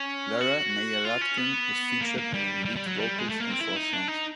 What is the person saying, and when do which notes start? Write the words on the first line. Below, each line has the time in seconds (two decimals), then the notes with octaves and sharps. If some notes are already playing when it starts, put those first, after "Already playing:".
Lara Meyerratken is featured on lead vocals on four songs.
Already playing: C#4
0.41 F#4
1.05 F4
1.21 C#4
1.38 B3
2.01 A#3
2.17 A#3
2.33 G3
2.65 G3
2.76 G3
2.86 F#3
2.96 G3
3.18 G#3
3.29 A3
3.40 A#3
3.50 C4
3.60 E4
3.76 D#4
3.93 D4
4.08 D#4